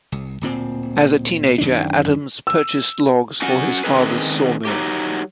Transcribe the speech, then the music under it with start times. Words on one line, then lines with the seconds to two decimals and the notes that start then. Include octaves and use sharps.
As a teenager Adams purchased logs for his father's sawmill.
0.12 C2
0.41 D1 A#2 C4
1.58 F#2 D#3 C#4 D4
2.47 E6
3.42 C#4 F#4 F#5 G#5
3.84 D3 D#3 C4 C#4 G#4 B4
4.65 F#3 D#4 G4